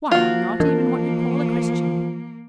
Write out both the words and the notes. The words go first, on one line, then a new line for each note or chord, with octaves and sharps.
Why, I'm not even what you'd call a Christian.
F3 A#3 F4 F#4
E3 A#3